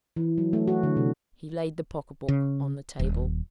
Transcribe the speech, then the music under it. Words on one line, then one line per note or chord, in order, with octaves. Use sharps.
He laid the pocket-book on the table.
E3
F#3
A3
F#4
D3
C3
C#3
D#1